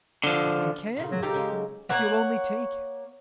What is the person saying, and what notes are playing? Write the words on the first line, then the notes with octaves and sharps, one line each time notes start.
"Nothing CAN--if you'll only take it..."
D3 F3
A#2 C#3
F#3
D#4 G4 A4 F5
C#3 G#3 C#4
F#3
A#3 C#5 F#5